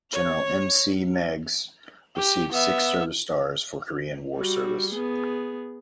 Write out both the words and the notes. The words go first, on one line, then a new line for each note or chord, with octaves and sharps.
"General M. C. Meigs" received six service stars for Korean War service.
C#5
G4
B3 E5
G3 F#4
B3 G#4